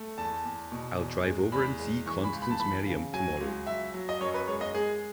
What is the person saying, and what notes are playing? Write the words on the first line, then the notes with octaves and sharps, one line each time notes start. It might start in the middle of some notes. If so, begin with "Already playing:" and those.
I'll drive over and see Constance Merriam to-morrow.
Already playing: A3
E2 A5
E2
B2
E2
G#3
E2 B5
G#3
E3 C#6
B5
C#2
B5
A5
E3 B5
C#3
F#3 G#5
C#2
F#3 E5
F#3
D#5
F#2 C#5
B4
G#3 C#5
D#5
G#3 G#4